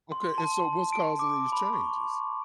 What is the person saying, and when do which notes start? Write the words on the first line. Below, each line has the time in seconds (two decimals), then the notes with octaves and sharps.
Okay, and so what's causing these changes?
0.12 C6
0.38 A5
0.73 A5
0.93 D7
1.19 D6
1.52 B5
1.73 C#6